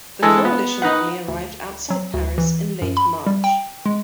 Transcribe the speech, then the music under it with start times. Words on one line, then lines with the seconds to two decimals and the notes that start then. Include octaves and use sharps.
The Coalition army arrived outside Paris in late March.
0.22 E3 G#3 A4 G#5
0.45 B3
0.82 D#4 B4 F#5
1.28 D2
1.90 F#3
2.14 D2
2.38 E3
2.82 F#2
2.97 B5
3.26 G3
3.44 G5
3.86 G#3